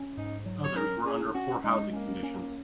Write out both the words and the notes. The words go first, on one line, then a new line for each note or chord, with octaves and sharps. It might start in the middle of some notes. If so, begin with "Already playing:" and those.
Others were under poor housing conditions.
Already playing: C#4
G#2 D#4
F#3
C#5
C#4 A#4
C#4 G#4
C#4 F#4
G#3 D#4
A#3 C#4
C#4